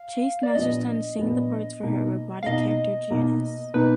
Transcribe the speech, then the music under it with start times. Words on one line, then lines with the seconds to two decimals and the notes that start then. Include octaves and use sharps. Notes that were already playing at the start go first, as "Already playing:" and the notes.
Chase Masterson sang the parts for her robotic character Janice.
Already playing: F5
0.43 D5
0.55 A#2 F3 B3 D4 D#5
1.18 A#2 F3 B3 D4
1.83 B2 A#3 D#4
2.43 F5
2.46 B2 A#3 D#4 D#5
3.10 B2 A#3 D#4
3.74 B2 A#3 D#4 B4